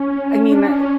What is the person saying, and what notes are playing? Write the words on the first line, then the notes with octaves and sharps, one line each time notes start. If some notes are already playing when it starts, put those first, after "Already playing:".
I mean, I
Already playing: C#4
D4
C#4